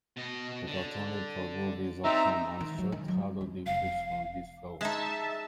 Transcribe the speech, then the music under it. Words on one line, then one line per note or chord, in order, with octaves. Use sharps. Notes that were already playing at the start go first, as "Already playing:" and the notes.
The Cartoon Network "Groovies" Atom Ant short had audio clips from this film.
B2 D#5
D3
D3 G3 C4 D#4 E5 A#5
D#3
F#3
D#3
F#3
G#3 A3
F1 F3 F5
G#3 D#4 E5 A5